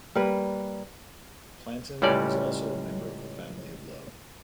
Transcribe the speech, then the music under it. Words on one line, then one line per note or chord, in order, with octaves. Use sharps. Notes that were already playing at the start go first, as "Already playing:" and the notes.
Plantin was also a member of the Family of Love.
G3 A#3 B4
C#2 A2 G3 C#4 D5